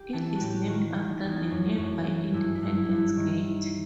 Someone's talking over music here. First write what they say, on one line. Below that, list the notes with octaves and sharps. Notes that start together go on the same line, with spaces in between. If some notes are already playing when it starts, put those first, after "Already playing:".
It is named after the nearby Independence Gate.
Already playing: G4
E3 A4
F#4
A2 G4
D#3 F#4
D#3
E2
F#2
F#2
E3
G2 E4
E4
G2
E4
G2
E4
D#3